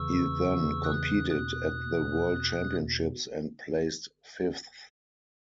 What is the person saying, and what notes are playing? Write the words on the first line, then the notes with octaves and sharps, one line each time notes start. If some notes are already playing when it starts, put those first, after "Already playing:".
He then competed at the World Championships and placed fifth.
Already playing: E2 C#3 E3 C#6 E6
D#6 F#6
E2 B2 D#6 F#6